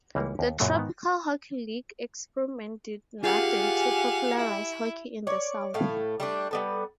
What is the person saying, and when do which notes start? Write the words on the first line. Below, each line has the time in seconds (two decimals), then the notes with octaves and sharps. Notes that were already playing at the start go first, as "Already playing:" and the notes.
The Tropical Hockey League experiment did nothing to popularize hockey in the South.
0.15 C#2 E3 G3 A#3
0.39 D#2
0.60 F#2 A#2 C#3 F#3
0.74 G#2 D#3 B3
3.24 F4 G4 G#4 F5 F#5 G#5
4.36 E4
5.27 C#5 D5
5.74 A2 A3 F5
6.20 G3 A3 D4
6.51 G3 B3 A4